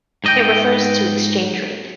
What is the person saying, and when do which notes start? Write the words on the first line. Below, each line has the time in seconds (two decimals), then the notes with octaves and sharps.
It refers to exchange rate.
0.24 G#2 D#5 G5